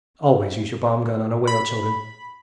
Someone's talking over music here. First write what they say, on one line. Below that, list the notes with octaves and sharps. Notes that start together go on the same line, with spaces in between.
Always use your bomb-gun on a whale, children.
B5